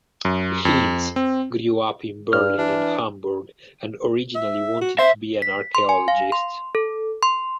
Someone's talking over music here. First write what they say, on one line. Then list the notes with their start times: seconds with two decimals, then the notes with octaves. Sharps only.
Hinz grew up in Berlin and Hamburg and originally wanted to be an archaeologist.
0.25 F#2
0.65 F2
1.16 C4
2.33 G2 F6
2.58 E3 D4
4.35 E5
4.81 F#4
4.99 C5 E5
5.42 B6
5.75 C6
5.89 G#5
6.08 F5
6.32 C6
6.75 A4
7.23 C6